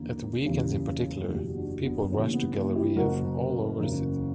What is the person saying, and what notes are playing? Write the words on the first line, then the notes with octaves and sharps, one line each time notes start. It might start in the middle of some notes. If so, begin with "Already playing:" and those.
At weekends in particular, people rushed to Galleria from all over the city.
Already playing: E2 D3 F#3 A#3 C#4
E1 E2 C#3 G3
F#1 E2 B2 G3
D4 F#4
B3 D4
D2 C#3 E3 G3 A#3 C#4
B3
A#3
E4 G4
F#1 F#2 C#3 F#4 A#4
F#1 E2 C#3 F#3